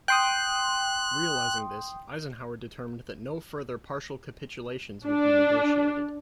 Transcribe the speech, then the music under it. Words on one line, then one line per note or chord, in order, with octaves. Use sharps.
Realising this, Eisenhower determined that no further partial capitulations would be negotiated.
G5 C6 D#6 F#6
D4